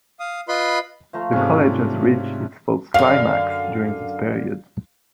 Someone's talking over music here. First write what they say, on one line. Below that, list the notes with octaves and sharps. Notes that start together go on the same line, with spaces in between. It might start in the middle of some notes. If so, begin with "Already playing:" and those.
The College has reached its first climax during this period.
F5 D#6
F4 B4 D#5 B5 C6
F3 A3 A#5
G#2 C3 C#4 D4
F#2 D3 F5